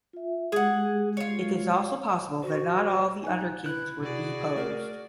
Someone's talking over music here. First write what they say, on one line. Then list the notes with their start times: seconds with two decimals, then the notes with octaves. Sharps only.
It is also possible that not all the underkings were deposed.
0.13 F4 E5
0.52 G#3 G4 G#4 F#5
1.17 F4 C#5
2.43 F#4 C5
3.24 D#4 G#5 F#6
3.65 E4 B4 F#6 G6
4.01 C3 F#4 G#4 D5
4.56 A3 A#4